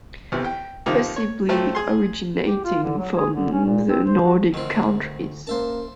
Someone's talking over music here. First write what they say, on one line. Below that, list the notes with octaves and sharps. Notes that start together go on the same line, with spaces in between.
Possibly originating from the Nordic countries.
B1 C3 E3
G5
C3 D#3 F3 A#3
C#5
F3 F#3 A3 C4
G#4 C6
G4
F4
D3
F#3
G#4
D3
C#4
A#2
C4
C5
F#4
D2 D#3 C4
A#3 C#4 A#4 C5 E5 A5